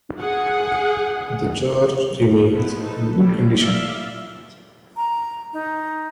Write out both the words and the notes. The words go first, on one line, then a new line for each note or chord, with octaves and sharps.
The church remains in good condition.
G#4 F#5
F3 G#3 A3 B3 E4 F4
D#4 A4 B4
G3 A3 B3 E4
D5 E5 F5
A#5
D#4